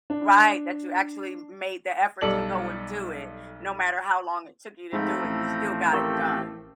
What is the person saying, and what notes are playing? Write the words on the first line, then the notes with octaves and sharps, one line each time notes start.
Right, that you actually made the effort to go and do it, no matter how long it took you to do it, you still got it done.
D4
B1 G3 A4 D5 F#7
G#2 F3 A3 C4 A4 A#5 B5
A1
G4 A4 A#4 A#5 C#6